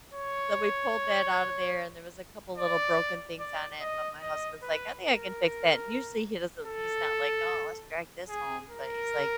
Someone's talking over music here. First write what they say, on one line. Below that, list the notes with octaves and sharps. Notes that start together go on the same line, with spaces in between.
so we pulled that out of there and there was a couple little broken things on it, but my husband's like, "I think I can fix that." And usually, he doesn't he's not like, "Oh, let's drag this home." But he's like,
C#5
D5
D5
D#5
D#5
B4
A#4
A4
G#4
A#4